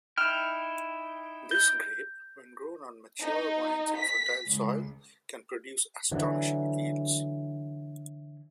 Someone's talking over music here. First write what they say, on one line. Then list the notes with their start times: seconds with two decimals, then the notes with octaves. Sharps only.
This grape, when grown on mature vines in fertile soil, can produce astonishing yields.
0.17 D#4 E4 G5 F6
1.51 G6
3.22 D#4
3.97 B6
4.47 C#2
6.12 D3 E3 F#3